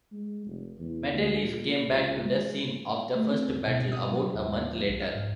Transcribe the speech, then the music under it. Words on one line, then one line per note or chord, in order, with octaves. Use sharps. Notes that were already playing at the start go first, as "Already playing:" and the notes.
Matelief came back to the scene of the first battle about a month later.
G#3
F1
E2
D2
A#2
C#2
G#3
A3
C4
D2
B2
D#6
F#3
D#2
D4
F3
B1
F5
G#2